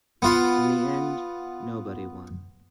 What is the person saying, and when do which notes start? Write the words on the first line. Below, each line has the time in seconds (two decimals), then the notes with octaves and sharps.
In the end, nobody won.
0.22 B3 F4